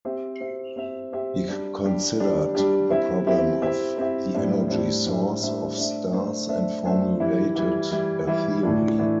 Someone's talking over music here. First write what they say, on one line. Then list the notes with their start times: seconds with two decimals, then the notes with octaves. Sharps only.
He considered the problem of the energy source of stars and formulated a theory.
0.05 C4 G4 C5 E5
0.40 C4 G4 C5 E5
0.76 C4 G4 C5 E5
1.12 C4 G4 C5 E5
1.48 G3 D4 G4
1.83 G3 D4 G4
2.20 G3 D4 G4
2.55 G3 D4 G4
2.90 C4 E4 G4 E5
3.27 C4 E4 G4 E5
3.62 C4 E4 G4 E5
3.98 C4 E4 G4 E5
4.34 A2 G3 D4 C5 E5
4.70 A2 G3 D4 C5 E5
5.06 A2 G3 D4 C5 E5
5.42 A2 G3 D4 C5 E5
5.76 A3 D4 C5 E5
6.13 A3 D4 C5 E5
6.49 A3 D4 C5 E5
6.84 A3 D4 C5 E5
7.20 E3 G3 E4
7.55 E3 G3 E4
7.91 E3 G3 E4
8.27 E3 G3 E4
8.63 A2 E3 A3 D4
8.99 A2 E3 A3 D4